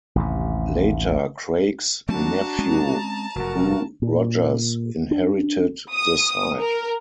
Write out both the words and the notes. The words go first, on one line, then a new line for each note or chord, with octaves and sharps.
Later Craig's nephew Hugh Rogers inherited the site.
A1 D#2 C3
F#3 A3 C4 D4 F#4 A5 A#5
G#3 C4 C#4
F1 F#2 F#4 A#4
A#2
D4
D#6
A#4